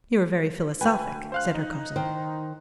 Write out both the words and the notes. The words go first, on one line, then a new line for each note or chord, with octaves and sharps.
"You're very philosophic," said her cousin.
D2 B4 G5 G#5
C5 F5 F#6
D#4
D#3 C5